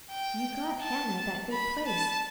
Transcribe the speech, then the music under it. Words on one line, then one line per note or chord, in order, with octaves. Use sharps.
You got Hannah that good place.
G5
A5
B5
A5